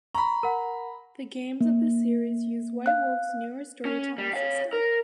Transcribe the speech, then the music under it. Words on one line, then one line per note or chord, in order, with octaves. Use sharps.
The games of this series use White Wolf's newer Storytelling System.
A#5 B5 C#6
A#4 F#5
A#3
F5 F#6
C#4
G3
C#5 F5
A#4